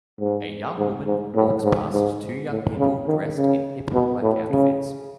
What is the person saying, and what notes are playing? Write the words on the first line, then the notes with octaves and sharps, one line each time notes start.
A young woman walks past two young people dressed in hip black outfits.
G#2
G#2
G#2
A2
G#2
G#2
A2
C#3
D#3
C#3
B2
A2
C#3